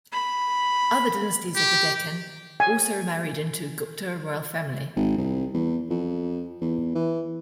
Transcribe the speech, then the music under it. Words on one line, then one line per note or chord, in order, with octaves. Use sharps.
Other dynasties of the Deccan also married into Gupta royal family.
B5
G4
G#5
G#1
C2
E2
F2
E2
E3